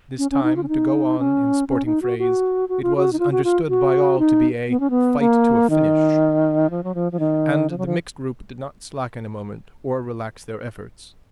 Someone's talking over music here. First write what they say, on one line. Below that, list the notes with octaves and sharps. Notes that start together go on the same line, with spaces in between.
This time, to go on in sporting phrase, it was understood by all to be a 'fight to a finish,' and the mixed group did not slacken a moment or relax their efforts.
C#4
C#4
D#4
F4
C#4
D#4
C#4
C#4
D#4
F#4
F#4
F#4
F4
F#4
D#4
F4
F#4
F4
F#4
D#4
B3
C#4
B3
A#3
D#3
F3
F#3
F3
F3
D#3
F3
F#3
F3